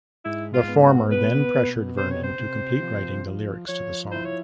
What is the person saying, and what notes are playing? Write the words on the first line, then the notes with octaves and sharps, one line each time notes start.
The former then pressured Vernon to complete writing the lyrics to the song.
G#2 E4
F4
B3
F#4
B2 B4
B2
C3 C5
C#5
C5
C3
F3
F3
F3 C#5
E4 C5
C#5